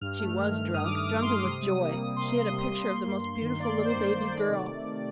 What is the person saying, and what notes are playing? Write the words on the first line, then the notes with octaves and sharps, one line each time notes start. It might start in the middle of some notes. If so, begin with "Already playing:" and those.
She WAS drunk, drunken with joy. She had a picture of the most beautiful little baby girl.
G2 F6
A3
D#3
D#3
G2 D#6
D6
A3
D#6
G2 F6
G2 C6
D6
C3 D#6
G3
A#3
A#3
C3 C6
C3
C3
C3
A#3
G2
G2
D#3
A#3 D5
D5
D#3
C5
G2 D5
D#3
A3 D5
C3
C3
D#3